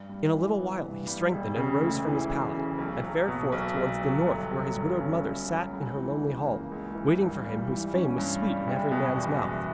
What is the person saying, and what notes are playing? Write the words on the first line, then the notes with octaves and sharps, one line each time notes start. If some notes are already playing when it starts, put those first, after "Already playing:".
In a little while he strengthened and rose from his pallet, and fared forth towards the north where his widowed mother sat in her lonely hall, waiting for him whose fame was sweet in every man's mouth.
Already playing: G2
G3
E3
B3
G2
G3
E1
C#3
D2
E3
E1
C#3
B1
F#3
B2
B1
B1
F#3
G1
F#3
G2
C#4
G1
F#3
C#2
E3
C#3
A#3
C#2
E3
G2
G3
E3
C#4
G2
G3
F#1
B2
E2
F#1